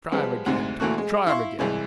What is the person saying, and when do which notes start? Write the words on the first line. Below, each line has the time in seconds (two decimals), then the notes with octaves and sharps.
'Try 'em again, Tom; try 'em again.'
0.12 F3 G3 G#3 B3
0.46 D2 G#2 C3
0.80 D2 A#2 E3 A3 F#4
0.98 G#3
1.27 E4 F5 C6 C#6
1.59 C2 E3 G#3